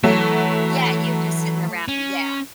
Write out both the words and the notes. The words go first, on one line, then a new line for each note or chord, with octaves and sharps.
Yeah you're just sitting around, yeah.
E3 F#3 A3
C#4